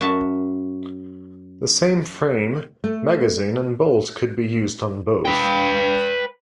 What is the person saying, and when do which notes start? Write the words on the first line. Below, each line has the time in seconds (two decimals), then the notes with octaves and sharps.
The same frame, magazine and bolt could be used on both.
0.01 F#2 F#4 E5 A5
2.84 A3
5.25 B4 G5